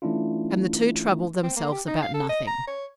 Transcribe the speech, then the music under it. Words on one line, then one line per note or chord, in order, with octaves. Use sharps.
And the two troubled themselves about nothing.
E3 A3 C#4 D4 E4 F4
C4
A#3
G4
D#4
F5
A4
D#5
A#5
C#5